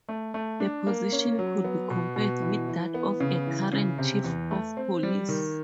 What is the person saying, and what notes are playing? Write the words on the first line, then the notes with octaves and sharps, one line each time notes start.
The position could be compared with that of a current Chief of police.
A3
A3
D4
A#3
C#4
F#3
B3
B2
B2
E3
E3
B3
C#3
E3
C#3
C3
E2
A3
C4
G3
D#3